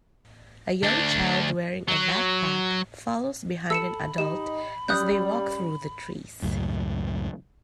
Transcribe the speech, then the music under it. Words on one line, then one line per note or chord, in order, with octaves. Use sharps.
A young child wearing a backpack follows behind an adult as they walk through the trees.
D2 D4
F#3
A4 B5 E6 C#7 E7
D#4 G4 D#5 E7
G3 C#4 D#6 F#6 G6
C#2 F#2 A2